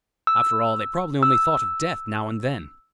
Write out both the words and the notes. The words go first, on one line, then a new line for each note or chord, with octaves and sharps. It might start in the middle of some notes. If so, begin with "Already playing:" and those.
After all, they probably only thought of death now and then.
E6
E6